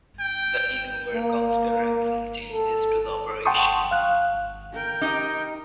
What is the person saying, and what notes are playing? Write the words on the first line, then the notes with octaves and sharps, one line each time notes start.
The Innu were considering some changes to the operation.
G5
A#3
A4
F#5 G5 A5 C6 C#6 D#6
F5 F#6
A#4 G5
D#4 G4 D#5